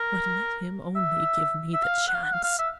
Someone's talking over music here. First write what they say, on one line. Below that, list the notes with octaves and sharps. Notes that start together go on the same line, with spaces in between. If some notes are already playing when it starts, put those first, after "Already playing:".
But let him only give me the chance!
Already playing: A#4
E5
E5
F5
F#5
F5
F#5
F5
F5
E5